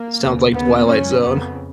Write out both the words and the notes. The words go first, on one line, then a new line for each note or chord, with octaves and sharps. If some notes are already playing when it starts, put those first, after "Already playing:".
Sounds like Twilight Zone.
Already playing: A#3
D#2 C#3
D#2 C#3 B3
F#2 C#3 C#4
F2 C#3 B3